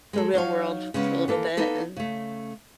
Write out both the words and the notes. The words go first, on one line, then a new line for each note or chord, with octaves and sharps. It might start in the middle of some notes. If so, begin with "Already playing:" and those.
The real world for a little bit and,
G#3 G#4 A4
F#3 D#4 C#5 F5
C#3 G#3 B3 C#4
E3 A#3 A4
A#3 B3 D#4 A4 B4
C#3 A3